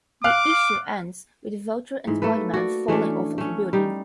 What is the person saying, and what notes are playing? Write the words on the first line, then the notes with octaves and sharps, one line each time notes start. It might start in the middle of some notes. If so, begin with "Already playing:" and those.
The issue ends with the Vulture and Spider-Man falling off of a building.
F5 D6 F6 F#6
G#2 E3
A3 A#3 A4 B4
F#4 D5
E3 A3 C#4 D4
A3 C#4
G3 D#4